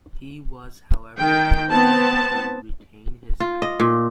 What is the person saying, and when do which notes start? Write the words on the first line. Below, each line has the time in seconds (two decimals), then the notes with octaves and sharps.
He was however allowed to retain his title.
1.19 D#3 G5
1.71 B3 C4 A5
3.40 F4
3.62 D#5
3.80 A#2